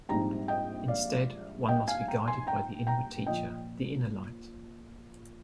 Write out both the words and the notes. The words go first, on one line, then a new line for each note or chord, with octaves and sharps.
Instead one must be guided by the Inward Teacher, the Inner Light.
A#1 G#2 G3 C4 D#4 G5 A#5
D#5 G5
D5 F5
D#5 G5
F5 G#5
G5 A#5
G#5 C6
G5 A#5
G5 A#5
A#2 F3 D#5 G5